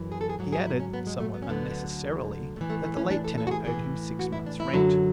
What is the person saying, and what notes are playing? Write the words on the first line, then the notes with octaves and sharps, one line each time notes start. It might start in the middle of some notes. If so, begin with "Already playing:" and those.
He added, somewhat unnecessarily, that the late tenant owed him six months' rent.
Already playing: F#2 E3
G#4
A4
G#4
G#2 F#3
G#4
E4
C#4
B3
G#3
A3
B3
C#4
D2 D3 F#3 B3
A2 E3 A3
A3
A3
C#4
D4
A4
A4
F#4
G#4
A2 E3 G#4
F#4
E4
D4
E4
F#2 D3 F#3